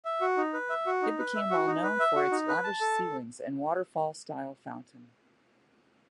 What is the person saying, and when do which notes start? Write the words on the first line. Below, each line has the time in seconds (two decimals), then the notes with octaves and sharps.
It became well known for its lavish ceilings and waterfall-style fountain.
0.05 E5
0.21 F#4
0.37 D#4
0.54 B4
0.70 E5
0.86 F#4
1.02 D#4
1.19 B4
1.35 E5
1.51 F#4
1.67 D#4
1.83 B4
2.00 E5
2.16 F#4
2.32 D#4
2.48 B4
2.64 A5
2.81 A4